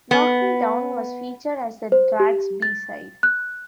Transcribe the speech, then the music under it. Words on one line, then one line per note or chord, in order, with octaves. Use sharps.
"Knock Me Down" was featured as the track's b-side.
B3
C5
G4
A6
F#6